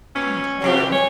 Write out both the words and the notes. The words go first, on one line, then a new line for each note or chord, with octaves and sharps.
Me too.
A#2 C#4
F2 C3 F#4 G4
C#5 G#5